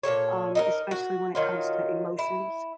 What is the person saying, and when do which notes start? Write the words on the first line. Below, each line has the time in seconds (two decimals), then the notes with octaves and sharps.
um, especially when it comes to emotions.
0.03 A#2 C#3 A4 C#5
0.55 D#4 E4 A#4
0.91 F#4
1.35 D#3 F#3 F4
2.19 E4